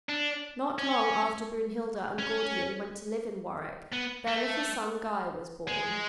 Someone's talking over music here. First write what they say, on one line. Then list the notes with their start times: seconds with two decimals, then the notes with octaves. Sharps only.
Not long after Brunhilda and Gordian went to live in Warwick, their little son Guy was born.
0.09 D4
0.79 C#4
2.19 C#4
3.92 B3
4.27 A3
5.68 G#3